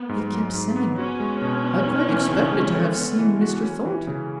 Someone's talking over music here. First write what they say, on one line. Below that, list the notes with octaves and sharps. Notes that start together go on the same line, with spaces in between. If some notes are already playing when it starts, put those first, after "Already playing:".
He kept saying, 'I quite expected to have seen Mr. Thornton.
Already playing: B3
G#2
F#3
G#2
B3
C#4 F#4
G#3
B2
B3
D#4
E3
C#3
G#3
A4
B3
E3
F#4
C#4
E3
C#3